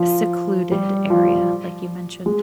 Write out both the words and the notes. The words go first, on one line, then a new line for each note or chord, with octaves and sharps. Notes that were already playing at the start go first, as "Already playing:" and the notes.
secluded area like you mentioned.
Already playing: F3
G3
F3
G#3